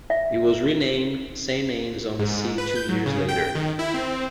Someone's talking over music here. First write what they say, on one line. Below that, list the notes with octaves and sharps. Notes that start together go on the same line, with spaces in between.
It was renamed Saint Annes-on-the-Sea two years later.
E5
G#2
B4
G6
F#3
C#3
G5
D#3
E4
C4